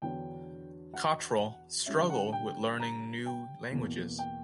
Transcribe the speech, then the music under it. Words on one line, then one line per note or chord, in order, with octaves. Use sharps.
Cottrell struggled with learning new languages.
E2 D3 F#3 B3 D4 G5
F#5
D3 G3 C#4 E5
F#5
G5
A#5
G5
E2 B2 A#3
G5